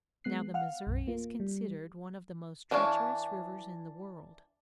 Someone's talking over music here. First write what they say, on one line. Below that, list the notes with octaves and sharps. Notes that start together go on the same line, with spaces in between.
Now the Missouri is considered one of the most treacherous rivers in the world.
G#3 B3 F#6 C7
F5 F#5 F6
B1 F#2
A#3 F4
G3
E3 D4 E4 C#5 F5